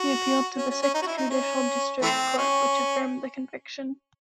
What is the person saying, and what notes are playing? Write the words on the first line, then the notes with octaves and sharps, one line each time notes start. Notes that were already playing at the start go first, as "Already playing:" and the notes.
He appealed to the Sixth Judicial District Court, which affirmed the conviction.
Already playing: F#4
C#4
C#4
C#4
D#4
F#4
E4
D#4
C#4
E3 A3 C4
C#4